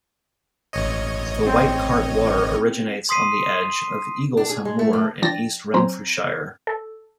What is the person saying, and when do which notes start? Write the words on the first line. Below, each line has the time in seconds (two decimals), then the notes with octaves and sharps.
The White Cart Water originates on the edge of Eaglesham moor in East Renfrewshire.
0.73 A1 C#5 D#5
1.47 C4 G5
3.09 C6 D#6 B6 C7 D#7
4.37 D4
4.49 G#4
4.65 G#3
4.79 A3
4.93 A2
5.22 F3 D4 G5 A6 A#6
5.74 F#3 C4 C5 G#5 A#5
6.67 A4